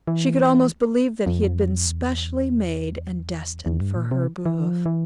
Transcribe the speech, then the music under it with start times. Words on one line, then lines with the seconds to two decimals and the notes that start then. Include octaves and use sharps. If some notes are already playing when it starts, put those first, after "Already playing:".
She could almost believe that he had been specially made and destined for her behoof.
0.07 E3
1.26 F2
1.86 E2
3.66 E2
3.81 G2
3.96 A#2
4.11 C3
4.46 E3
4.65 F3
4.86 E3